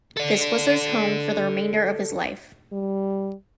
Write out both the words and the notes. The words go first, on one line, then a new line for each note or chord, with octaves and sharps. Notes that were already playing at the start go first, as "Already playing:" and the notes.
This was his home for the remainder of his life.
A4 D5
G3